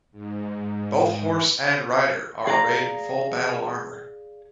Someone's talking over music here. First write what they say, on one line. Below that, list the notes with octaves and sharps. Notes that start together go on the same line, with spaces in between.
Both horse and rider are arrayed in full battle armor.
G#2
G#4 D5 F5 G5 A#5